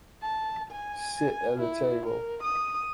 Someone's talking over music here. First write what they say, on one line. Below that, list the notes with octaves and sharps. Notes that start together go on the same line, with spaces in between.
Sit at the table.
A5
G#5
E4
A#4
D#6